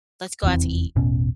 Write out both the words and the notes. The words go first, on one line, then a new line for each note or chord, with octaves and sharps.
"Let's go out to eat."
F1 E2 E3 C4
E1 A1 B2 C#4